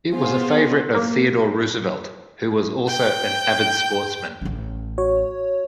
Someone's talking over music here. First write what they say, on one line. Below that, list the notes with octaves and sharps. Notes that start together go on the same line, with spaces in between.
It was a favorite of Theodore Roosevelt, who was also an avid sportsman.
B3 F4 G#4 C5
A#3
G5 G6
A1 C#4
F#4 C#5